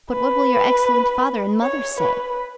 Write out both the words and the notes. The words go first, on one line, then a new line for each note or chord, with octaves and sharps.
But what will your excellent father and mother say?
B4
C#5
B4